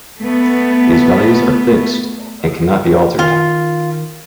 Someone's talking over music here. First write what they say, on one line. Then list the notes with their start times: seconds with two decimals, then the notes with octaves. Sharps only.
These values are fixed, and cannot be altered.
0.24 A3 B3
3.19 D#3 F4